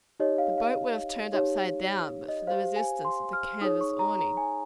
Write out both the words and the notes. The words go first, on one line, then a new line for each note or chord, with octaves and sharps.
The boat would have turned upside down but for the resistance of the canvas awning.
D#4 G4 C#5 D#5
F5
F5
D#4 G4 C#5
D#5
G4 C5 F5
G#5
C6
F6
D#4 G#4 C#5 D#6
C#6
A#5
A#5
G#5